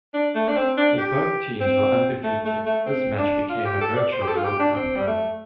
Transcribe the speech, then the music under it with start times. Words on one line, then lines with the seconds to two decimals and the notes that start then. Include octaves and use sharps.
As both teams were undefeated this match became a virtual World Cup final.
0.14 D4
0.35 A3
0.48 D4
0.56 C4
0.77 D4
0.98 G4
1.60 C4
2.23 A3
2.45 A3
2.66 A3
2.86 C4
3.18 D4
3.49 F4
3.65 G4
3.81 A4
3.96 D5
4.12 C5
4.22 G4
4.28 A4
4.37 F4
4.44 G4
4.59 D4
4.75 C4
4.96 G3
5.07 A3